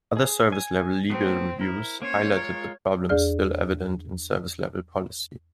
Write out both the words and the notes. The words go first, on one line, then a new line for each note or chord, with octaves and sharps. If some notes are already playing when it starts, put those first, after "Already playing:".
Other service-level legal reviews highlighted the problems still evident in service-level policy.
G#4
G#5
F#3 A3 B3 C4
E4 A#4
A#3 C#4 C5 C#5
G#3 F4 A#4
E2 G#4 D5 F6